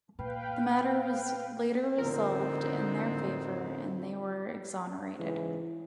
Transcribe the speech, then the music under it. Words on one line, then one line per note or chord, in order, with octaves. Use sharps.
The matter was later resolved in their favour and they were exonerated.
A#2 B4 F5 G5
F2 A2 D3 B3 C4 D#4 A#4
G#2 C#3 E3